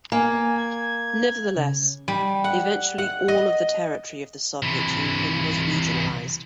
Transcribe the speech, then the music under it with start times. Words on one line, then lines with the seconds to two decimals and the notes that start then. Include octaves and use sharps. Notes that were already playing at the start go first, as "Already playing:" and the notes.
Nevertheless, eventually all of the territory of the Soviet Union was regionalized.
0.12 A#3 G#5
0.58 G#6
1.56 C#3
2.08 G3
2.44 F#5
2.98 F#5
3.28 D#5
4.63 C3 E3